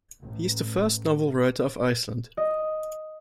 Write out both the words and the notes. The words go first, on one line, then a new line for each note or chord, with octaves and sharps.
He is the first novel writer of Iceland.
A1
D#5